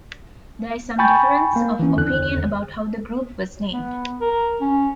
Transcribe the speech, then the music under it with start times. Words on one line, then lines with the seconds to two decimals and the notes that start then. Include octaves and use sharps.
There is some difference of opinion about how the group was named.
0.99 G5 G#5 B5 C#6 G6 A6
1.56 A#3
1.79 E3 C#4
1.96 E2 D3 F#6
3.72 B3
4.21 A#4
4.61 C#4